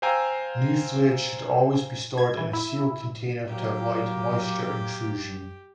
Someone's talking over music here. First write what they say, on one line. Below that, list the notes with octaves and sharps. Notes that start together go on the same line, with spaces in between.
New fluid should always be stored in a sealed container to avoid moisture intrusion.
C5 F5 G5 G#5 A#5 E6
G#6
E3
E4
F#3 A#3 G4